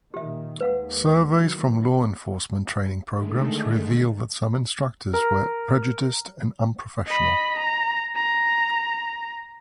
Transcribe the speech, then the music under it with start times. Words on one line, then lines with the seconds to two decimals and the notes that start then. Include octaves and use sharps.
Surveys from law enforcement training programs reveal that some instructors were prejudiced and unprofessional.
0.14 A#2 D#3 G4 E5
0.61 D#2 G#3 B4 F5 F#5
1.35 D#3 E3 F#3
3.10 D3 D#3 G#3 A3
5.13 A#4
7.07 D#5 B5
7.59 A#5
8.15 A#5